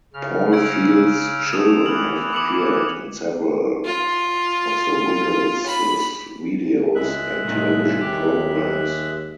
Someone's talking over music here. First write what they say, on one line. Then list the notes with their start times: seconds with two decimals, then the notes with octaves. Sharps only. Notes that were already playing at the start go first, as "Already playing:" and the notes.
Paul Field's children have appeared in several of The Wiggles' videos and television programs.
0.14 C#3 F6
0.52 E6 G#6 D7
1.53 G#3 A3 D#6 E7 F7
1.86 E3 B3 F6 F#7
2.33 D6 C#7 F#7
3.85 F4
5.66 B5
6.95 C#2 G#3 E5 F#6
7.45 C2 A2 D#4
8.01 D#2 G4